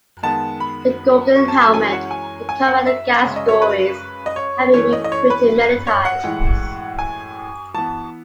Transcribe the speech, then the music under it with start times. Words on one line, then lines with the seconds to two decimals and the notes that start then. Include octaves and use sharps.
"The Golden Helmet", the cover, and the gag stories have been reprinted many times.
0.23 D#3 G#3 B3 A5
0.60 B5
1.36 C#6
1.48 A5
1.61 A5
1.73 E3 G#3 C#4 G#5
1.92 F#5
2.11 G#5
2.49 G#5
2.67 F#5
2.86 E5
3.23 C#3 G#3 C#4
3.36 D#5
3.49 C#5
3.62 B4
4.26 D#5
4.36 C#5
4.74 E3 A3 C#4 C#5
4.93 D#5
5.04 D#5
5.12 C#5
5.30 B4
5.87 C#5
6.05 F#5
6.24 A2 E3 G#3
6.99 G#5
7.74 E3 B3 A5